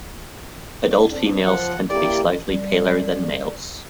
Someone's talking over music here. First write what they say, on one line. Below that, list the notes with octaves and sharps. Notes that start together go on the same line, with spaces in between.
Adult females tend to be slightly paler than males.
C4 D4
F3 F#5
A#3 E4 G4 D5
G3 D5